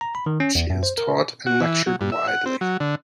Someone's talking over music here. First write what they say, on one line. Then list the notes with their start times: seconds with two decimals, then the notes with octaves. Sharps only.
She has taught and lectured widely.
0.01 A#5
0.15 B5
0.26 D#3
0.40 C#4
0.55 E2
0.70 F#2
0.83 C5
0.98 A#4
1.46 F#4
1.61 E3
1.87 F#3
2.01 G2
2.12 E5
2.27 F#5
2.46 C4
2.61 F#3
2.80 D3